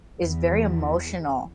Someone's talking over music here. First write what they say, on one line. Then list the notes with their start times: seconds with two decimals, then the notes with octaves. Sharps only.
is very emotional
0.18 E2